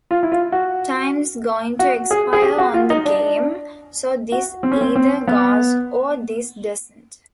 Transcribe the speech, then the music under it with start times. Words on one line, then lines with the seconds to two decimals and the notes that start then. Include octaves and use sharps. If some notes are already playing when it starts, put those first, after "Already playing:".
Time's going to expire on the game, so this either goes or this doesn't.
0.11 F4
0.23 E4
0.32 F4
0.52 F#4
1.79 F#4
2.11 G#4
2.33 G#4
2.42 G4
2.58 F#4
2.74 F4
2.90 D#4
3.05 D4
4.32 F#4
4.63 C4
4.71 C#4
4.81 C4
4.95 C4
5.28 B3